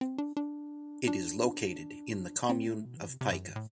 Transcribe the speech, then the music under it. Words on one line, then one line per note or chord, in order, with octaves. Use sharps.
It is located in the Commune of Pica.
C4
D4
D4
D4
C4
A3
B2
E3
C3
C3
F#2
G2
A2